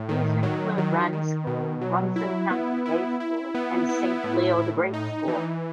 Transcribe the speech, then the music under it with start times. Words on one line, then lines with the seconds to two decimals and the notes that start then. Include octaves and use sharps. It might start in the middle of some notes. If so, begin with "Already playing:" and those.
These include Ranney School, Rumson Country Day School and Saint Leo the Great School.
Already playing: A2
0.09 D#3
0.43 F#3
0.78 D#3
1.13 D#3
1.47 B2
1.81 F#3
2.16 E4
2.51 B3
2.86 E4
3.20 E4
3.55 B3
3.89 E4
4.24 A2
4.58 A2
4.93 D#4
5.28 E3